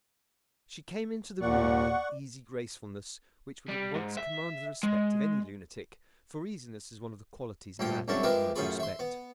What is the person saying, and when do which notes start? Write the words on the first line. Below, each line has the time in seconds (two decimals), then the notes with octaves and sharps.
She came into the room with an easy gracefulness which would at once command the respect of any lunatic--for easiness is one of the qualities mad people most respect.
1.41 D#2 A#2 D5 F#5 C#6
3.68 G3
3.95 G#2
4.17 E5
4.83 G#3
7.79 D2 G2 A#2 D3 G5
8.08 C2 F#2 G#3 C#4 D4 E4
8.23 F3 G#3 G4 A#4 B4 E5
8.56 A1 F#2 C#4 F4 G#4 B5
8.80 E5 C6
8.99 B3